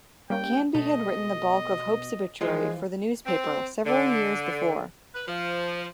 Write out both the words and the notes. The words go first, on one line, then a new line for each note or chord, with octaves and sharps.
Canby had written the bulk of Hope's obituary for the newspaper several years before.
G3 A#3 C#4 G5
B2 A3 D#5
E3 F3 G#3 F4
C4
D3
B4
F3